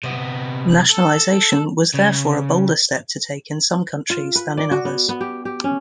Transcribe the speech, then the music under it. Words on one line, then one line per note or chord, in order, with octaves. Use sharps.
Nationalization was therefore a bolder step to take in some countries than in others.
C3 B3
A4
C#3
F4
B4
D5
F#4
B3
B3
G4
G4
C#4